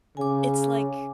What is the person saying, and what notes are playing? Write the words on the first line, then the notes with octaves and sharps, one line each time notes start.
it's, like
C#3 G#5 D6